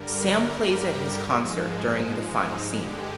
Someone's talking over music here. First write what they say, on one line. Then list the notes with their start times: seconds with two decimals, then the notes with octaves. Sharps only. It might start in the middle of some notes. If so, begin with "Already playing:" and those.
Sam plays at his concert during the final scene.
Already playing: G2 D3 G3 A#4
0.50 G4
1.20 G#2 F3 G#3
2.24 D#4
2.59 G2 D3 G#3 G4